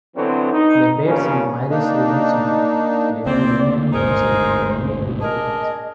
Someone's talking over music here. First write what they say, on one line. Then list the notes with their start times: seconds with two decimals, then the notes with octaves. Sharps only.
They played some Irish rebel songs, later renaming themselves the New Republicans.
0.16 D3 E3 F#3 B3 C4
0.53 D#4
1.05 G2 A#2 C#3 B3 C#4
1.70 A#3 D4 D#4
3.26 D2 C#3 A#3 C4 D5
3.93 G1 D2 G#2 D#4 G#4 A#4 C5
5.21 D4 G#4 A#4 D#5